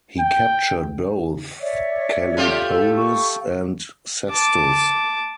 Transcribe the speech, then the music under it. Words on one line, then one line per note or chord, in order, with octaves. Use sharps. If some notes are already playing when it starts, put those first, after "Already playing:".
He captured both Callipolis and Sestus.
G5
C#5 D5 E5
A3 F4 G4
A4 E6
C#6
A5 D6